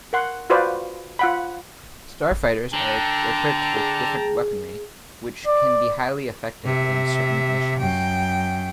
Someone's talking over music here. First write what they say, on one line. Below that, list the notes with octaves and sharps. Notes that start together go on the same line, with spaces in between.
Starfighters are equipped with different weaponry which can be highly effective in certain missions.
A#4 F#5 C6
F4 F#4 B4 C5 D5 F5
F4 F#5 B5
D3 G5 A5 A#5
G#4
D5
C3 E5
F#2 G5